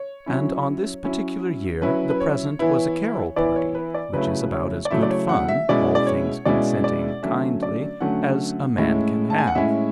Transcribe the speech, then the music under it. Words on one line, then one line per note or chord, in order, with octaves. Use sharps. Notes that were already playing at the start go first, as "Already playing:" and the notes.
And on this particular year the present was a Carol party,--which is about as good fun, all things consenting kindly, as a man can have.
Already playing: C#5
F#3 C#4 E4
F#3 C#4 E4
F#3 C#4 E4 B4
B4
C#5
E3 B3 E4
E3 B3 E4 D5
C#5
B4
D5
C#3 F#3 A3 E4 B4
C#5
D5
C#3 F#3 A3 E4 E5
D5
C#5
F#5
E5
B2 G#3 C#4 E4 D5
D5
C#5
B2 G#3 C#4 E4 D5
D5
D3 F#3 A3 C#4 E5
D5
D3 F#3 A3 C#4 F#5
A2 G#3 C#4 E4
A5
G#5
F#5
A2 G#3 C#4 E4 E5